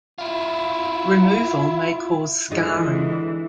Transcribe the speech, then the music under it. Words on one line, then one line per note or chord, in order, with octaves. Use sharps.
Removal may cause scarring.
E4 F4
D3 E3 G#3 D#4 F4